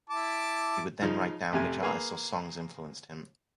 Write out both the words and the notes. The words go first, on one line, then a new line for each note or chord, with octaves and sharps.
He would then write down which artists or songs influenced him.
E4 A5 D6
C#3 F3 D#4
A1 F2 C3 G#5
A#3 G#4 B4